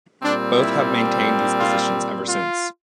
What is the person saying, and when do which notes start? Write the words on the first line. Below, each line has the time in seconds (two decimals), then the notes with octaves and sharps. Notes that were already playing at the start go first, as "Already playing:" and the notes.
Both have maintained these positions ever since.
0.22 A#2 G3 C4 D4
0.57 E4
1.59 F4
2.27 F4